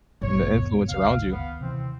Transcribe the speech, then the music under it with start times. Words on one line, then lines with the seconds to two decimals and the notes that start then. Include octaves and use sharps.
And the influence around you.
0.22 A1 G2 B2 D#3 C#5
0.55 D#2
0.89 F#1 C#2 F5
1.31 B3 F5
1.61 C3 E3 C4